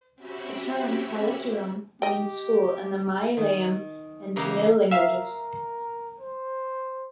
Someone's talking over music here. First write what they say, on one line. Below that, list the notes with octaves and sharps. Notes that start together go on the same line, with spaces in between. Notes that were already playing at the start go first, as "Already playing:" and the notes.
The term "Pallikoodam" means school in the Malayalam and Tamil languages.
C4 C#4 F#4 G4 E5 B5
G4 D#5 G5
D#3
C#3 E3 A#3 G4
A#4 E5 F5
C5